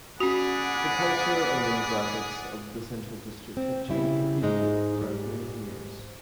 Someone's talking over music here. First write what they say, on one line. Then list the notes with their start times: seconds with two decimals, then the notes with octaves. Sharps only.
The culture and demographics of the Central District have changed repeatedly throughout many years.
0.20 C#4 F#4 G#4 D5 F#5 B5
3.57 C4
3.89 C#3 G3 E4
4.43 G#2 G#3 D#4
5.02 G#2 G3